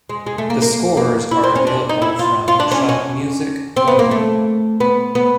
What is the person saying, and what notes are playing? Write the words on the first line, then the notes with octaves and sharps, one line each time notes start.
The scores are available from Schott Music, London.
G#3
G#3
A3
A#3
A#3
A#3
E4
C4
C#4
D4
D#4
E4
F4
F4
D4
C#4
C#4
C4
B3
A#3
A3
B3
B3